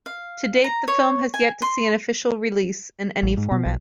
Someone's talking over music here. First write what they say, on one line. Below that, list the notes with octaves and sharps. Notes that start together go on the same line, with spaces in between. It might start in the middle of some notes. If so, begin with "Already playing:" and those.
To date, the film has yet to see an official release in any format.
F5
A#5
C#5
G#5
C6
A1
G#2
B2
B1